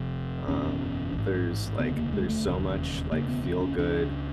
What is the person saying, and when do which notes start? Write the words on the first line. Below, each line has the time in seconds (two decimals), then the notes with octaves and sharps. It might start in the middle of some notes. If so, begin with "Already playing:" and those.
um, there's like there's so much like feel-good,
Already playing: F1 F2 C3
0.48 F#1 E2 B2 C#4
1.13 A1 G#2
1.79 E1 D2 C#3 B3
1.97 A#3
2.13 G#3
2.29 A3
2.45 E1 D#2 C#3
3.12 E1 D2 C#3 A#3
3.28 B3
3.45 C4
3.61 C#4
3.77 C#2 C#3 D4